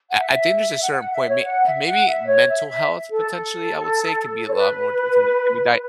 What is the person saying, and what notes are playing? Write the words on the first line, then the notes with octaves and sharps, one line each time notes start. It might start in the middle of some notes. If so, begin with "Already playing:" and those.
I I think there's a certain point may maybe mental health potentially, I would say, could be a lot more c can be can be dia
F#5
E5
F#5
F#5
E5
C#5
F#5
E5
F#5
E5
C#5
E5
E5
A4
A4
C#5
B4